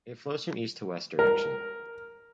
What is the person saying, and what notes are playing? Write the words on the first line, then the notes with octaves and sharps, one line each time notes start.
It flows from east to west direction.
A#4